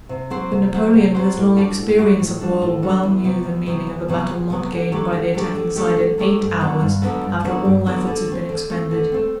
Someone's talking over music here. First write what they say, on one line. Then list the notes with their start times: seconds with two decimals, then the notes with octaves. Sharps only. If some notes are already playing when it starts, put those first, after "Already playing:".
But Napoleon with his long experience of war well knew the meaning of a battle not gained by the attacking side in eight hours, after all efforts had been expended.
0.09 C3
0.30 F#3 C4 F#4 C5
0.52 C3
0.73 F#3 C4 F#4 C5
0.93 C3
1.15 F#3 C4 F#4 C5
1.35 A2
1.56 G3 D4 F#4
1.77 A2
1.99 G3 D4 F#4
2.20 A2
2.40 G3 D4 F#4
2.62 A2
2.82 G3 D4 F#4
3.03 E2
3.24 C3 F#3 B3
3.45 E2
3.66 C3 F#3 B3
3.87 E2
4.08 C3 F#3 B3
4.29 E2
4.50 C3 F#3 B3
4.71 D3
4.92 F#3 A3 D4 G4
5.13 D3
5.34 F#3 A3 D4 G4
5.55 D3
5.76 F#3 A3 D4 G4
5.97 D3
6.18 F#3 A3 D4 G4
6.39 G2
6.60 D3 F#3 B3 D4
6.81 G2
7.02 D3 F#3 B3 D4
7.23 G2
7.44 D3 F#3 B3 D4
7.65 G2
7.86 D3 F#3 B3 D4
8.07 D3
8.28 A3 C4
8.49 D3
8.70 A3 C4
8.91 D3
9.12 A3 C4